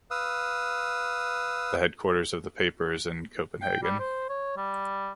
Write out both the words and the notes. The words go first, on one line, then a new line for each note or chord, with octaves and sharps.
The headquarters of the paper is in Copenhagen.
B4 F5 D#6 E6
G5
G3
C5
C#5
G3